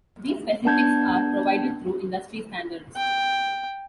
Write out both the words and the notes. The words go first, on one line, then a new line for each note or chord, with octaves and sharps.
These specifics are provided through industry standards.
B3 D4 A5 G6 G#6
G5